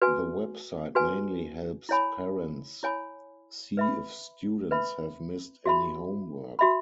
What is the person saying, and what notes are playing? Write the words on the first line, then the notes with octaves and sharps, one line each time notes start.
The website mainly helps parents see if students have missed any homework.
F#4 B4 G#5
F#4 B4 G#5
E4 C#5 G#5 B5
E4 C#5 G#5 B5
B4 E5 B5
B4 E5 B5
F#4 E5 B5
F#4 E5 B5